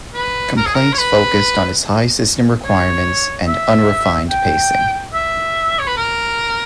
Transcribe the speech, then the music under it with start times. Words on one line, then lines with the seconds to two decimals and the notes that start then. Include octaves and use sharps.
Complaints focused on its high system requirements and unrefined pacing.
0.14 B4
0.57 A#4
0.66 G#4
0.75 A#4
0.93 C#5
0.98 B4
2.65 C#5
3.48 E5
4.30 G5
5.14 E5
5.79 C#5
5.87 B4
5.97 A#4